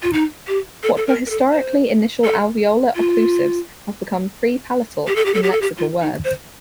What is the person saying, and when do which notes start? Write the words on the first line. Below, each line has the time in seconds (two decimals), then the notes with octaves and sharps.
What were historically initial alveolar occlusives have become pre-palatal in lexical words.
0.03 F4
0.13 D#4
0.48 G4
0.83 A4
0.97 A4
1.07 A#4
1.26 A#4
1.30 A4
1.53 C5
2.25 A4
2.96 F4
5.07 G4
5.16 A4
5.25 G4
5.34 A4
5.43 G4
5.52 A4
5.62 G4
5.78 F4
6.01 D#4
6.25 C5